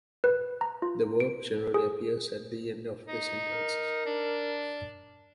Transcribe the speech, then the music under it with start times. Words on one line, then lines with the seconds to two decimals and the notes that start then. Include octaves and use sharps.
The verb generally appears at the end of the sentence.
0.24 B4
0.61 A#5
0.82 F4
1.20 D7
1.74 G#4
3.08 D#4
3.50 A#4
4.06 D4